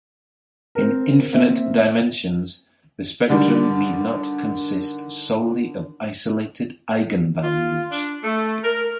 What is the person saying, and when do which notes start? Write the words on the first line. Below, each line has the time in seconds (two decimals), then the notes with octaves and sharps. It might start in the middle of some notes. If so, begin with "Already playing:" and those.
In infinite dimensions, the spectrum need not consist solely of isolated eigenvalues.
0.75 C4 A#4
1.32 A#3 C4 E5
3.29 D3 D#3 G3
7.43 F4
7.91 D4
8.24 A3
8.64 A#4